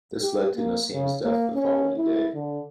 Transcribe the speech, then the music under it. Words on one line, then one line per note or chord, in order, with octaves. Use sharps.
This led to Naseem's death the following day.
G4
A#3
C#3
A#3
C#4
E4
D3